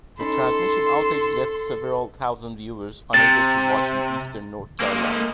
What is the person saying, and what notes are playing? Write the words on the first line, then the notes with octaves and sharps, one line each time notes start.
The transmission outage left several thousand viewers unable to watch in Eastern North Carolina.
C#4 D#4 A4 B5 C6
C3 A6
G#3 A#3